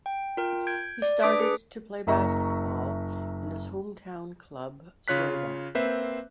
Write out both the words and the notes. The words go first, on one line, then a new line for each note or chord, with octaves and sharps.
He started to play basketball in his hometown club Sloga.
G5
F4 A#4 G5
G6 G#6 D7
D5
D4 B4 D6 D#6 B6 D7
G#4 B4
F#1 E5 A#5 C#6
C#3 F4 C#5 F#6 B6
A#3 C4 B4 C5 E5